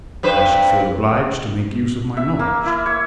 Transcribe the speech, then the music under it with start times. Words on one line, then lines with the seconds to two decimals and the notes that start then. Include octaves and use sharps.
I should feel obliged to make use of my knowledge.
0.23 G2 B4 C5
2.17 E5
2.39 A#3
2.66 E4
2.86 C#5